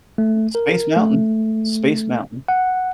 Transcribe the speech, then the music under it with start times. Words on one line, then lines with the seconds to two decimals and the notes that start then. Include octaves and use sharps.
Space Mountain. Space Mountain.
0.18 A3
0.55 A#4
0.96 A3
2.48 F#5